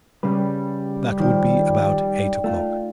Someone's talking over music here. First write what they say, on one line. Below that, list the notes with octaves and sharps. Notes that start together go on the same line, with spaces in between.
That would be about eight o'clock.
C#3 G3 B4
D#3 F3 D#4 D5 G5
A3 F4